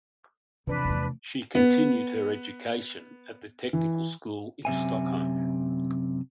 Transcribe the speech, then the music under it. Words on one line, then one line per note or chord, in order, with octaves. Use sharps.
She continued her education at the Technical School in Stockholm.
F2 C3 E3 F3 D4 B4
E2 A3
B3
E3
F#2 C3 E5 G#5